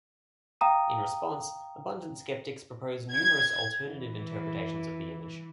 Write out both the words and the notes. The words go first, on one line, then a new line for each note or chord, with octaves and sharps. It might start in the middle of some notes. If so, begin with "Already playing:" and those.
In response, abundant skeptics proposed numerous alternative interpretations of the image.
F5 G5 A#5 D#6 D#7
G#6
E3